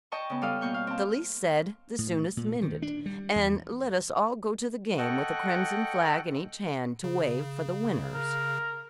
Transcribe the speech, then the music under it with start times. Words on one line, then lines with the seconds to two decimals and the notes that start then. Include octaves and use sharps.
"The least said, the soonest mended, and let us all go to the game with a crimson flag in each hand to wave for the winners."
0.12 D#5 G5 A5 C#6
0.30 C#3 B3
0.42 G3 G4 A4 F5 D#6
0.61 B2 A#3 C#6 G6
0.74 F5
0.87 C4 A5
1.98 A2
2.37 A#2
2.62 D#3
2.82 D4
3.06 G3
3.36 E2
4.98 A4 D#5 F#5 G5 C#6 F#6
7.04 C#3
8.15 A#4